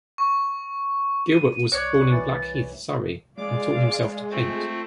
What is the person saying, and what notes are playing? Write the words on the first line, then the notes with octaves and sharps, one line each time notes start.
Gilbert was born in Blackheath, Surrey, and taught himself to paint.
C#6
D#7
C2 C#5 D5 F#6
E3 A6
G#3 D5 F5 D6
A3 C4 F4